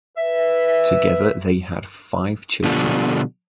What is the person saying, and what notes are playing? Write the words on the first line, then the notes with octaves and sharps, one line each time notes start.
Together they have five children.
B4 E5
B2 D3 F3 G3